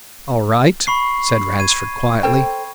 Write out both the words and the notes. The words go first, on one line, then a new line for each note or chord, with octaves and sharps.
"All right," said Ransford quietly.
B5 C#6 C7
G#6 D#7
A4 C5 G5